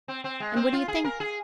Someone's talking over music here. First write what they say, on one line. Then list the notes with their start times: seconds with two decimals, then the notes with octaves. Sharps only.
And what do you think?
0.08 C4
0.24 C4
0.40 G#3
0.56 C4
0.73 F4
0.88 G#4
1.04 A#4
1.20 G#4